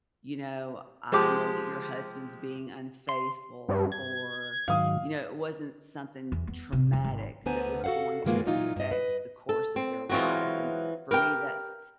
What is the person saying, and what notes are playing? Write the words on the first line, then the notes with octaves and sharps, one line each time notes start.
you know, I know that your husband's being unfaithful or, you know, it wasn't something traumatic that was going to affect the course of their lives, and for me, that's
F3 G#3 G4 D6
C6
G2
G#6
G#2 D#3 F#3 F5 D#6
E2
B3
A1 C3
F2
G#1
D2 D3 B3 C5 G#5 A#5
F#4 A4 C5 F5 F#5
G2 D#3 E3 G#3 A#3 F4
A#2 E3 F#3 D#4 F4
G2 D#5
B4 D#5
A4
C4
E3 F#3 G#3 C4 F4 F#4
G4 A#4 B4 G5